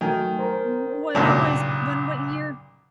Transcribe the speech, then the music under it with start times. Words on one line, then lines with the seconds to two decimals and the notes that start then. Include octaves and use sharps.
When it was when what year?
0.01 D#3 F#3 A3 G#5
0.39 A#4 C5
1.15 B1 G2 A#2 C#3